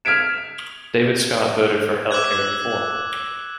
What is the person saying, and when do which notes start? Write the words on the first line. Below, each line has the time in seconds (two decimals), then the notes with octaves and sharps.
David Scott voted for healthcare reform.
0.05 F6 G#6 B6 D7 E7
2.11 D6 E6 F#6 G#6